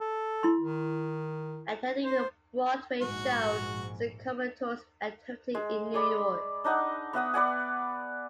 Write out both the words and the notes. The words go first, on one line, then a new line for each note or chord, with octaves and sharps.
Attending a Broadway show is a common tourist activity in New York.
A4
E4 C6
D#3
C5
A#1 G#2 F#4 C#6
G#3
G#4 D5 B5
D4 D#4 D#5 F#5
B3 E5 F#5 D#6
B4 D5 F#5 G#5